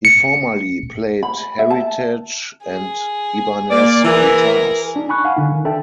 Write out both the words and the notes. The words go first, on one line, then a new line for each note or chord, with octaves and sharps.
He formerly played Heritage and Ibanez guitars.
C#7
B5
E5
A5
G#4
A#3 D5
E3 G#4 A#4
D4 D#4
G#5 B5 C#6 F#6
F5 F#5 G#5
D3 D4 D#4
D#3
D4 A4 E5 G5 A5